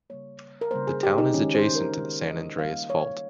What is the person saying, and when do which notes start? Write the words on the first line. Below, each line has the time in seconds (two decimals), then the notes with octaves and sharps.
The town is adjacent to the San Andreas Fault.
0.10 C#3 G3 A#3 C#5
0.61 A#4
0.71 C#3 G3 A#3 C5
0.87 G#4
1.03 G4
1.18 D#4
1.33 D#3 G#3 C#4
1.54 C5
1.75 A#4
1.96 D#3 G#3
2.27 D#5
2.58 D#3 G3 A#3 F5
2.90 C#5